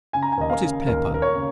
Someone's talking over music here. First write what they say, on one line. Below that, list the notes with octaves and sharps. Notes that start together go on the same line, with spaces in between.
What is Pepper?
C#3 G#5
A#5
G#5
D#2 D#5
F5
C#3
D#2 A#4
D#2 A#4
C#5
C#3